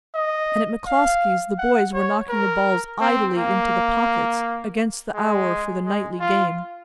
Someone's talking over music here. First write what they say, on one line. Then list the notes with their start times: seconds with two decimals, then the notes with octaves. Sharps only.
And at McCloskey's the boys were knocking the balls idly into the pockets against the hour for the nightly game.
0.15 D#5
0.87 F5
1.59 F#5
1.94 C#5
2.30 A#4
3.01 C4
3.37 A#3
5.14 G#3
5.85 G#3
6.20 F4